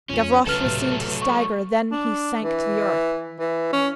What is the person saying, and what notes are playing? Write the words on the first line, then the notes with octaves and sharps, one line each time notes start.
Gavroche was seen to stagger, then he sank to the earth.
F2 F3 C#4
C#2 F#3 A3 C#4 A4 B4 F6
A2 C3
C#6
D4
E3
E3
C#4